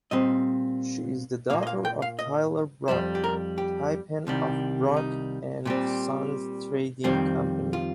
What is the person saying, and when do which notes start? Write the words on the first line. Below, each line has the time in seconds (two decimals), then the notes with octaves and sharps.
She is the daughter of Tyler Brock, Tai-pan of Brock and Sons Trading Company.
0.11 A#2 G3 C4 D#5
1.50 A#2 A#3 F5
1.63 D#5
1.67 F5
1.85 G5
2.02 F5
2.19 D#5
2.88 F2 D#3 G3 C5
3.15 G4
3.24 A#4
3.58 G4
4.27 C2 C3 D#3 G3
4.97 D#4
5.65 A#2 G3 C4
7.04 F2 D#3 G3 C4
7.73 F4